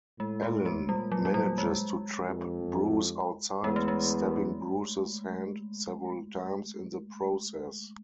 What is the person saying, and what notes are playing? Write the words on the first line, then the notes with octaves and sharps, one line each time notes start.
Ellen manages to trap Bruce outside, stabbing Bruce's hand several times in the process.
A2 G#3
A3
G#3
A#2 G3
F#3
F#3
G3
G#3
F2
E2 G#3
A3
G#3